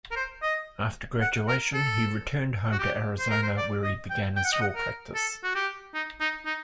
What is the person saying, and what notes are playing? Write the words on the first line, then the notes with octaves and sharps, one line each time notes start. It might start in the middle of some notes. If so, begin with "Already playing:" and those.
After graduation, he returned home to Arizona, where he began his law practice.
A#4
C5
D#5
F#5
A#4
A4
F#4
G4
C5
A#4
C5
D5
D#5
G5
G5
F#5
D#5
F#5
A#4
A4
F#4
G4
D#4
D#4
D#4